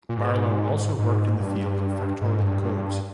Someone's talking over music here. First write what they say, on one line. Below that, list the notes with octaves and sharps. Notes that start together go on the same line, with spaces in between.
Barlow also worked in the field of factorial codes.
A#2
G#2
G#2
G2
G#2
G2
G2